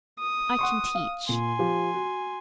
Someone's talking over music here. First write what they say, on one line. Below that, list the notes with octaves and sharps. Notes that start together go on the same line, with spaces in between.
I can teach.
D#6
F#5 C6 C#6
F5
A#2 G#5 C6
F3 G4
F#4